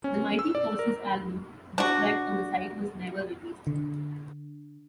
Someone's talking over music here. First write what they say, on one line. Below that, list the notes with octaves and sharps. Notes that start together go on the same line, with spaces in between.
The Mighty Forces album described on the site was never released.
C#4
E6
D5
A#4
D4 F#4
D3